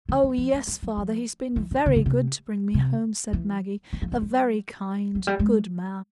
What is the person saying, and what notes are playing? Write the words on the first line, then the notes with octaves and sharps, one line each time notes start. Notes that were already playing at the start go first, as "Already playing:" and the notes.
"Oh yes, father, he's been very good to bring me home," said Maggie,--"a very kind, good man!"
D3
E3
F3
G#3
F#3
F#3
F3
E3
D#3
D3
C#3
C3
C3
E3
E3
F3
F#3
G3
F#3
G3
G#3